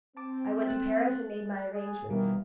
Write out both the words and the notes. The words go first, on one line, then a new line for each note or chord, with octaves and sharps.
I went to Paris and made my arrangements.
C4 A5 D6
A3 F#6 A6
G#4
B2 D#3 E3 G3 A#3